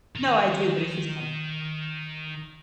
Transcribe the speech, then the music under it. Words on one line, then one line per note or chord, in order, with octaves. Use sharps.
No, I do, but it's just funny.
D#3 A#5